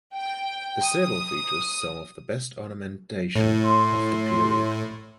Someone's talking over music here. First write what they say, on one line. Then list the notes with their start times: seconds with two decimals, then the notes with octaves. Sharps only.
The sebil features some of the best ornamentation of the period.
0.12 G5
0.83 D#6
3.35 A2
3.65 C6